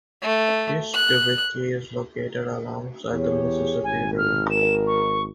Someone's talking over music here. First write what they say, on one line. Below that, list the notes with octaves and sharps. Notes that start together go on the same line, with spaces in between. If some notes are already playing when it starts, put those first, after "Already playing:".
East Dubuque is located alongside the Mississippi River.
A3
F#6
E2 G4 G#4 C#5
G#1 G#5
F6
G#2 A#4 E7
C#6